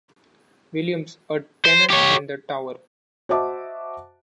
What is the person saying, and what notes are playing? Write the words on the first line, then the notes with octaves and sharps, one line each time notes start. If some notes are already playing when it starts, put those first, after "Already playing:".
Williams, a tenant in the tower.
C5
G4 C#5
F#4 C5 D#5 E5 A5 D6